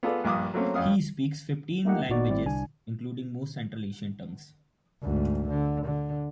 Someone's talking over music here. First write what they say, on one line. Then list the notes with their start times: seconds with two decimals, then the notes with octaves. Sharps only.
He speaks fifteen languages, including most Central Asian tongues.
0.03 B3 F4 G#4 A4 D5
0.24 A#1 G2 F5 D6 D#6
0.54 F#3 A3 A#3 C4 C#4
0.74 F2 C#4 F5 D#6
1.85 A3 A#3 D#4 G4 D#5 F#5
2.09 G#1 A#2 B3 D#4 F#4 D5
2.29 G#1 G3 C4 E4 D5
2.45 C2 D4 G#5
5.02 D2 G#2
5.48 D3
5.85 D3